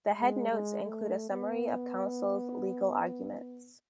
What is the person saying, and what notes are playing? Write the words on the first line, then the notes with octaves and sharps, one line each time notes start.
The headnotes include a summary of counsel's legal arguments.
G#3
G#3
A3
B3